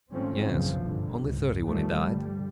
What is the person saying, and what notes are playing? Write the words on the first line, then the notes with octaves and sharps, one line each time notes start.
"Yes; only thirty when he died."
G#1 G#2 F3 A3 C4 C#4
F#1 B1 F#2 C#3 E3 F3
G1 G2 D3
C#2 G#2
D#3 F3 G3 A3
G2 D3 G3